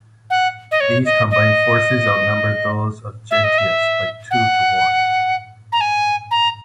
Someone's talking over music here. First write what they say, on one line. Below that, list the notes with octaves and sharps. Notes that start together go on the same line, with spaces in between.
These combined forces outnumbered those of Gentius by two to one.
F#5
D#5
C#5
D#5
D#5
E5
D#5
E5
F#5
A#5
G#5
A#5